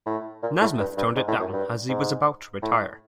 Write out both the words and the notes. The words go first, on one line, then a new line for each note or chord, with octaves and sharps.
Nasmyth turned it down as he was about to retire.
A2
A#2
A2
G2
G2
G#2
A2
F#2
G2
G#2
A2